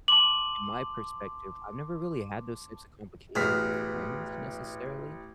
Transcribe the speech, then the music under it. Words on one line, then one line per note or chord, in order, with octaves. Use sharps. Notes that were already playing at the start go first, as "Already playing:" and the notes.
in my perspective, I've never really had those types of complications with friends necessarily.
A5 C6 D6 F#7
A1 B2 G#4 F6 B6